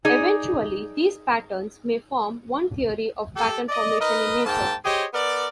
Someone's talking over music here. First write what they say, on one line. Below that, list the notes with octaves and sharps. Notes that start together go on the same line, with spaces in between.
Eventually, these patterns may form one theory of pattern formation in nature.
D#4 G#4 D5
G4 A4
D5 D#5
D#4 A#4 B4 D#5
G#2 A#3 G5 A5
G4 G#4 C5 C#5 D#5
B3 A#4 D5